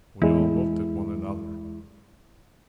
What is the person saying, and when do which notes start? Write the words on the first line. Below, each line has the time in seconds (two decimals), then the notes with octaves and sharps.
We all looked at one another.
0.22 E2 G#3 E4